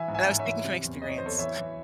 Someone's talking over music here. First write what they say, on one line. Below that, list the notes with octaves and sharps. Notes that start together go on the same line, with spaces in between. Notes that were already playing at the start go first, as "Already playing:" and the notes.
and I was speaking from experience.
Already playing: E3 E5 G#5
G#2
E5 G#5
G#2
C#5 E5
E3
C3
E2
E2 D#5
C#5
E2 C5
A4 C#5
E3 C#5 E5
E3